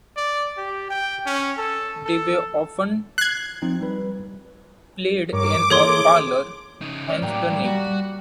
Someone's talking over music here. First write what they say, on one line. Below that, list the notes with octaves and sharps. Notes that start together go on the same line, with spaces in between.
They were often played in a parlour, hence the name.
D5
G4
G5
C#4
A4
A4
F#6 G#6 C7
F3 C4 D#4
G3 B4
G2 A#4 C#5 D6
E3 A#3 G#4 A4 C#5 C6
C#3 D#4
G#3 C#4 D5
A2 F#3 A#3 G4
G3
G3 F#4